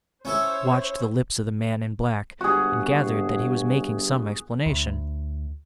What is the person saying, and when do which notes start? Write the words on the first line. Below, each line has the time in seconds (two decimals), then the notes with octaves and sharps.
He watched the lips of the man in black and gathered that he was making some explanation.
0.25 C#4 E4 A4 C5 C#5
2.41 G1 F#4 G#4
4.66 D2